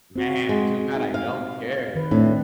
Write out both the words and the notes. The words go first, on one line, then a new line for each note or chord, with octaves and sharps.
Man, too bad I don't care.
C4 F#4
G#3
D#4
F5
D#3 B4
A2 C4 D4 E4